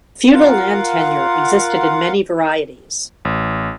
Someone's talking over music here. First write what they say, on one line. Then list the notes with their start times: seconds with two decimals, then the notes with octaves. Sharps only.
Feudal land tenure existed in many varieties.
0.32 F4 A#4 F5 F#5
3.25 A1